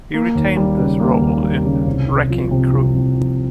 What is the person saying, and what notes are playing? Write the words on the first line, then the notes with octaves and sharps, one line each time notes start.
He retained this role in "Wrecking Crew".
A#3
D#2
G3
C#3
A#3
D#2
G3
C#3
C2
C2
F3
C3
C2
C2
F3